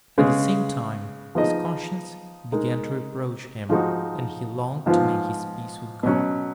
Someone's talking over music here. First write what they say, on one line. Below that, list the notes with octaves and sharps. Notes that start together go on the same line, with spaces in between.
At the same time his conscience began to reproach him, and he longed to make his peace with God.
C#3 G#3 B3
F3 B3 D#4 G#4 D#5
G#3 D#4 A#4
G#2 F3 G#3 D#4 F#4
G#2 F3 B3 F4
B2 F#3 C#4